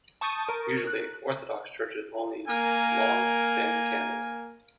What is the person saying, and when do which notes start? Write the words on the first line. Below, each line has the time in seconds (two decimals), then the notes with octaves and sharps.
Usually Orthodox churches only use long, thin candles.
0.21 A5 C#6 D#6 G6 A6 D#7
0.49 A#4
0.87 F#6
2.46 A#3 A#4 G#5